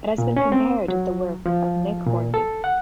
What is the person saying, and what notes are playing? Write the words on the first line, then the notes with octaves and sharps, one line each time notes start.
It has been compared with the work of Nick Hornby.
A#2
C#4
C4
F#3
F3
A#2
A4
F#5